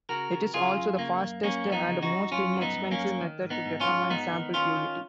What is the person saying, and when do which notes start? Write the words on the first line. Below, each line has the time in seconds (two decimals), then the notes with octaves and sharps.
It is also the fastest and most inexpensive method to determine sample purity.
0.09 C#3 F#4 A#4
0.31 C#3
0.54 C#3 F4 G#4
0.76 F#2
0.98 C#3 A#3
1.21 F#2
1.43 F#2 A#3 C#4
1.65 F#2
1.72 B3 D#4
1.87 C#3
2.03 D#4 F#4
2.10 F#2
2.32 F#2 C#4 F4
2.54 F#2
2.61 B3 D#4
2.77 F#2
2.91 A#3 C#4
2.99 F#2
3.21 D#3
3.43 G#2
3.50 B3 D#4
3.66 G#2
3.80 C#4 F4
3.88 G#2
4.10 G#2 B3 D#4
4.32 D#3
4.54 D#3 C#4 F4
4.76 D#3